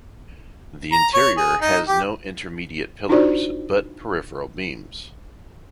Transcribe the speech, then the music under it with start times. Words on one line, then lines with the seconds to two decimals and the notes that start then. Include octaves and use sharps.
The interior has no intermediate pillars but peripheral beams.
0.92 A#5
1.14 C#5
1.37 G#4
1.61 D#4
1.88 G4
3.09 D4 D#4 F4 F#4 C5 D5